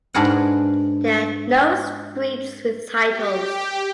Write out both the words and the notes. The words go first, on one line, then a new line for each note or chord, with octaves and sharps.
There are no streets with titles.
G#2 D4 G#4 A#4 B4 F#5
G4